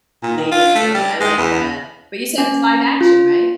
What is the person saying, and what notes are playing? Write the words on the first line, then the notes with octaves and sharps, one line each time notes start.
Lean into it. I like that. But you said it's live action, right?
A#2
D#3
F4
A3
G3
G#3
E2
C#4
F4